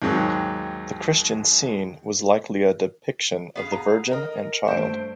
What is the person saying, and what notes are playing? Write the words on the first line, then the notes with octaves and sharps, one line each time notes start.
The Christian scene was likely a depiction of the Virgin and Child.
D#2 G#2 F#3 G#3 G5
B3 G#4 F5
A#5
A#4 D#5
G2 A3 C5 D7